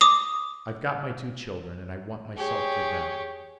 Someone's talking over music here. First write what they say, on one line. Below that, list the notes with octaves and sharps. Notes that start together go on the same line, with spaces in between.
I've got my two children and I want myself for them.
D6 D#6
G4 G#4 C#5